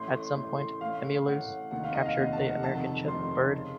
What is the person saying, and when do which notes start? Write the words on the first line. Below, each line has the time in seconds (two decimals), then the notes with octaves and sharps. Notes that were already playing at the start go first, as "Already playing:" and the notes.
At some point "Emulous" captured the American ship "Bird".
Already playing: A1 A2 C6
0.12 C6
0.35 A1 A2 C6
0.58 C6
0.81 A1 A2 F5
1.26 A1 A2 F#5
1.71 F1 D#2 D#3 F#5
1.84 F5
1.94 D#5
2.06 F5
2.16 F1 D#2 D#3 F#5
2.33 A5
2.47 F#5
2.62 F1 F2 D#3 A5
3.08 F1 F2 D#3 C6
3.54 C#3